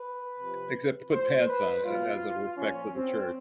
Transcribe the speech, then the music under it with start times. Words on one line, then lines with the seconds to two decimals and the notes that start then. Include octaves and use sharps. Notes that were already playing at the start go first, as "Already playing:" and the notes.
except to put pants on a as a respect for the church
Already playing: B4
0.40 C3 F3
1.12 A2 F3 C5
1.48 B4
1.85 B2 F#3 F4
2.57 A#2 F3 C#4
2.94 C4